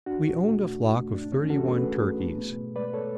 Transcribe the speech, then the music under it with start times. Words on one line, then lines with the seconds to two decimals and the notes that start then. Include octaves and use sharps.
We owned a flock of thirty-one turkeys.
0.06 E2 D4 F#4
0.34 B2
0.60 A3
0.88 E2
1.14 G#2 D4
1.32 C#4
1.41 E3
1.50 F#4 A4
1.68 A3 G#4 B4
1.95 G#2
2.22 B3
2.49 B2
2.76 G#3 B4 D5
2.94 A4 C#5